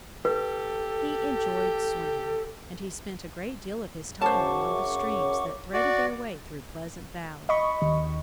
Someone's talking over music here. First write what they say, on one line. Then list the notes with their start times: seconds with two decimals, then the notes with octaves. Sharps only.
He enjoyed swimming. And he spent a great deal of his time along the streams that threaded their way through Pleasant Valley.
0.25 G4 A4 B4
4.21 F#2 C#3 C5 F#5 A5 C#6 D6
5.73 F#4 D5
7.49 D#5 B5 C#6
7.82 D#2 D#3